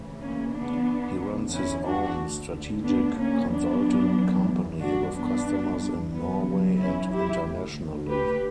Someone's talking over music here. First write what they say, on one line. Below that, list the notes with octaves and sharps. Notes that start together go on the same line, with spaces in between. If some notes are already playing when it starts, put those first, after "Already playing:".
He runs his own "Strategic Consultant - company" with customers in Norway and internationally.
Already playing: D2 C#3 E3
A#3 C#4
B3 D4
E2 D3
C#4 E4
D4 F#4
D2 D3
B3 D4
A#3 C#4
F#2 E3 B3 D4
G2 E3 D4 F#4
B3 D4
F#2 C#3 E3 G3 B3
F#3
C#4 E4
E4 G4
D2 D3
G4 B4